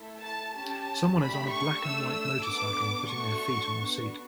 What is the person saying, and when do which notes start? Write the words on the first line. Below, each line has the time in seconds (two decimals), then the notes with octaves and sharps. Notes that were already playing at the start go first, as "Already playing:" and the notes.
Someone is on a black and white motorcycle and putting their feet on the seat.
Already playing: A3 E4 A4
0.22 A5
0.54 C#4 G4 A5
1.18 A3 D4 G4 B5
1.50 C#6
1.82 A3 D4 A4 E6
2.14 E6
2.45 B3 D4 A4 D6
3.09 A3 D4 F#4 A4 C#6
3.74 B3 D4 F#4